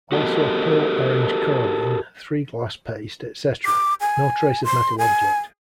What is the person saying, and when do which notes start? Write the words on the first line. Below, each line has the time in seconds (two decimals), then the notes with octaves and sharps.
Also a pearl orange coralline, three glass paste, etc.. No trace of metal object.
0.12 F#4 G4 A4 A#4 D#5
3.66 D6
4.01 G#5
4.65 C6
4.99 G#5